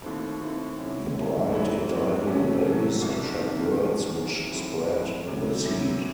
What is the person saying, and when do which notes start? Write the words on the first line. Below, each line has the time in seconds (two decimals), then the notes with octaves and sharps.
The bright edible berries attract birds, which spread the seed.
0.02 D#2 D#3 A3 C4 E4
0.40 D#2 D#3 A3 C4 E4
0.77 C3 F#3 C#4 E4
1.14 C3 F#3 C#4 E4
1.52 G#2 F#3 C4 E4
1.89 G#2 F#3 C4 E4
2.27 C3 F#3 A3 C#4
2.64 C3 F#3 A3 C#4
3.02 C2 C3 D#3
3.39 C2 C3 D#3
3.77 E2 D#3 F#3
4.14 E2 D#3 F#3
4.52 A2 F#3 C4 E4
4.89 A2 F#3 C4 E4
5.27 C3 F#3 C#4 E4
5.64 C3 F#3 C#4 E4